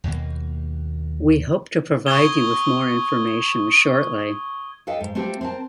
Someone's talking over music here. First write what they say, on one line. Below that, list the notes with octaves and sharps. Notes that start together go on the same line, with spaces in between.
We hope to provide you with more information shortly.
D#2 B2 A#3
C#6 D#6 G#6 G7
A4 B4 D#5 F5 G5
G#2
A3 C4 F4 G4 B4
C4 A#4 A5